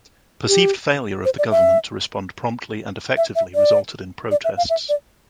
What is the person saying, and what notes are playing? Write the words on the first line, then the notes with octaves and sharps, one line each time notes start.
Perceived failure of the government to respond promptly and effectively resulted in protests.
G4
C5
D5
E5
E5
E5
D5
D5
E5
F5
E5
D5